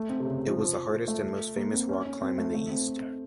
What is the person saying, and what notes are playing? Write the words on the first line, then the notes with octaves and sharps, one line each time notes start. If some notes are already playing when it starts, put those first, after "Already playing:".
It was the hardest and most famous rock climb in the East.
Already playing: A3
C4
C3
C#3
F3
F3
A3
A#3
C4
C#4
C#4
C4
A3
A3
C4